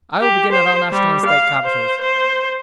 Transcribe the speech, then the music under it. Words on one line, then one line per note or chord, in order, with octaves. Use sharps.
I will begin at our national and State capitals.
G4
C5
G3
F5
C5
C5